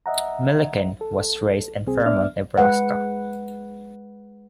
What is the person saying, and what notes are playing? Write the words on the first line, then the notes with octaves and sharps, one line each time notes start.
Milliken was raised in Fremont, Nebraska.
D#5 E5 F#5 A#5
A4
C2 C4 G#4
B3 D4 D5 E5 F6
G#3 B4 F#5